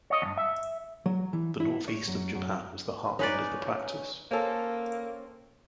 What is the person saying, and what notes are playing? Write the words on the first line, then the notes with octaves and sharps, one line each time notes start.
The north east of Japan was the heartland of the practice.
C#5 D#5
E2 G2
E5
F#3
E3
E4
C#5
F#2
F#2
C#4 D#4 B4 D5
A#3 C4 C#4 A4